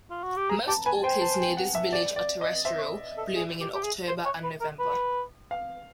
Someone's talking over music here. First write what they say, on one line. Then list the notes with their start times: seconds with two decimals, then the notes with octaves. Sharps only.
Most orchids near this village are terrestrial, blooming in October and November.
0.10 F4
0.24 F#4
0.37 G4
0.49 G#4 A#5
0.68 G4 A5
0.86 B4 G#5
1.04 C5 G5
1.21 A5
1.40 G5
1.57 F#5
1.75 E5
1.93 D5
2.16 D5
2.41 D#5
2.65 C5 E5
2.78 C#5
2.82 C5
3.18 A4
3.36 G#4
3.60 G4
3.74 G4
3.84 G#4
4.07 C5
4.25 C#5
4.43 B4
4.61 A#4
4.79 B4
5.51 F5